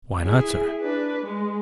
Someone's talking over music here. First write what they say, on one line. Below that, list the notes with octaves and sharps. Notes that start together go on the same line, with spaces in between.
"Why not, sir?"
E4 G#4
D4 B4
G#3